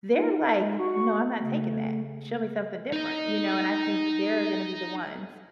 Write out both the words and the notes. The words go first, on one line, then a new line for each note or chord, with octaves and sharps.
they're like, "No, I'm not taking that. Show me something different," you know? And I think they're gonna be the ones
D#4 F4
G#3
F#4 C#6
C#3 A3
D#4 D#5